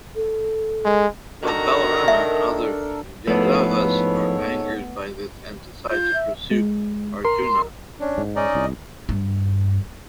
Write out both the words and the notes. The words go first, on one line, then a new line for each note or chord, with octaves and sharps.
But Balarama and other Yadavas are angered by this and decide to pursue Arjuna.
A4
G#3
D#3 D4 F#4 A4 A#4 A#5
E5
G#2 F3 A3 B3 E4 A4 B4 C#5
F4 G6
E5
G#3
A#4 C6
C#4 D4
G#2
C#4 D#4 D5 D#5
C2
G2